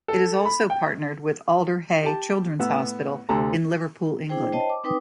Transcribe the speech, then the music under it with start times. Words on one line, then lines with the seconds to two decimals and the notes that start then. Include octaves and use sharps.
It is also partnered with Alder Hey Children's Hospital in Liverpool, England.
0.08 A4
0.45 B5
0.70 G5
2.03 G4 A5
2.59 A2 B3 F#5 E6
3.29 D2 C3 A4 A5 A#5
4.29 D4 E4 G#4 C5 G5
4.52 C5 C#5 D#5 G5 A5
4.70 D6
4.84 C4 D#4 B4 G5 D6 D#6